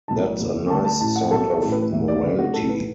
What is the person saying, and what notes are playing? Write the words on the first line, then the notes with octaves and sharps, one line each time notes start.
That's a nice sort of morality.
B1 A2 E3 A5
F#1 E2 B2
D2 D3 A5
A5
A1 A2 E3 A5
F#5
B1 B2 A4
A1 A2 E3 A4
B4
B4
B1 A2 E3 E5
D5
D2 D3 B4
F#4
B1 A2 E3 A4
B4